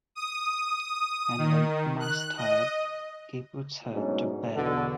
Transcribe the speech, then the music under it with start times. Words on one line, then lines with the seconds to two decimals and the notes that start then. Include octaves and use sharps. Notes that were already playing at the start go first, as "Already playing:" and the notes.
And when Emma's tired, he puts her to bed.
0.15 D#6
1.38 D#3
2.00 F#6
2.37 D#5
3.92 G#2 B2 F#3 A3 C#4 D4
4.55 E2 B2 D3